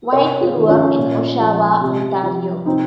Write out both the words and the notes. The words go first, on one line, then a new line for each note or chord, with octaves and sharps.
White grew up in Oshawa, Ontario.
C3 A#4 C#5
F4 G#4
D#3
C#4 F4
A#2
F3
C3
F3
C3 C4 D#4